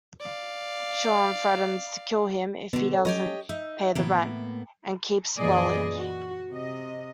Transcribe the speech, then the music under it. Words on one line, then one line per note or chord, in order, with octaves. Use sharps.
Sean threatens to kill him if he doesn't pay the rent, and keeps Wellard.
D5 F5
B2 D3 F#3
C#4 A4
F#3 F#4 G4 B4 C#5 D#5
D#4 E5
A2 C3 E3 A#3 B3
F#2 A#2 E3 G#4 D5 D#5
F#4
C3 D#5